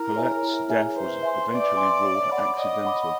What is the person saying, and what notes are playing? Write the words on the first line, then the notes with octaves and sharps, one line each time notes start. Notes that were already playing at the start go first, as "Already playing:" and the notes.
Hulette's death was eventually ruled accidental.
Already playing: E4 A#4
G#4 C#5 E5 G#5
E4
G#4 C#5 E5 G#5
B4 C5
E5 G#5 C6
B4 D5
E5 G#5 C6
C#5
F#5 B5 D6
C#5 D#5
F#5 B5 D6